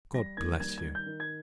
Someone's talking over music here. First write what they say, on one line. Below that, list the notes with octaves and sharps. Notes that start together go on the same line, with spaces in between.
God bless you!
G3 A#6
D#2 G#6
G3 G#6
G#6
D#3
G6
D#3
G#6